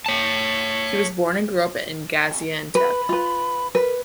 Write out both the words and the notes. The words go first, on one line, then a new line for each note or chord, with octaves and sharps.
He was born and grew up in Gaziantep.
C#5 A5
B4 B5
F4 B4
A#4 B4